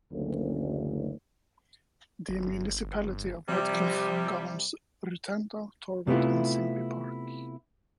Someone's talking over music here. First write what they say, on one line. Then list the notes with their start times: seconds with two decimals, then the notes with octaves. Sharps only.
The municipality of Redcliff governs Rutendo, Torwood and Simbi Park.
0.12 F#1 D2
2.28 G1
3.49 C3 F3 G3
6.07 C3 A3 B3 E4 F4